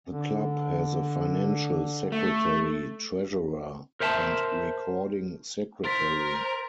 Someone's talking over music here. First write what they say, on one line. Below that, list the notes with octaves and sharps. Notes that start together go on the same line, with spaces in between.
The club has a Financial Secretary, Treasurer, and Recording Secretary.
D3
A3
A#4 C5 E5 G5 A5
A#4 C5 C6 A6 B6